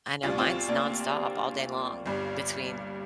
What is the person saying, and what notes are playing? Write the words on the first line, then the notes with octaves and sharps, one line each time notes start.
I know mine's nonstop all day long between,
D2 C3 G3 F4
D4
C4 F4
A#3 D4
G1 G2 G3